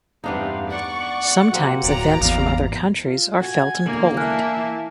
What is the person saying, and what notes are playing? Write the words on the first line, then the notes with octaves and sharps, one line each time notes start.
Sometimes events from other countries are felt in Poland.
E2 G2 C3 B3 D4 D#4 F5
D5 F#5 C#6
A#3 C4 F#4
D1 F#3 D5 A#5
G#1 E2 B3 F5
F4
F#4 F#5 G#5
E2 D3 A#3
E5 G#5 A5 F6 F#6
E3